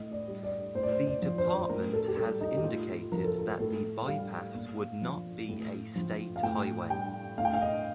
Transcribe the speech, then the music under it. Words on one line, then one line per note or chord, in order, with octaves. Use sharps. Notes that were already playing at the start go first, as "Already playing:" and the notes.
The department has indicated that the bypass would not be a state highway.
Already playing: A2 D#5
D5
G3
D5
A2 C5
D5
C5
D5
F3
C5
D5
C5
A2 A#4
A4
G4
G3 A4
D#4
G4
A2 F4
F3 A#4
A4
A#4
A2 A4
G3 F5
A#2
F3
A2
F3
F5
A2 G5
G3 G5
A2 F5
G5
F5
D#5